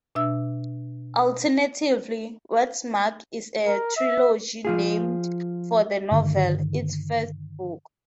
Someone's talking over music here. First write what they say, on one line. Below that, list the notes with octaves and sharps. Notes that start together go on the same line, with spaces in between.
Alternatively, "Westmark" is a trilogy named for the novel, its first book.
B2 D4 E5 E6
A#4
E5
F3 F4 G#4
G2 D3 D#3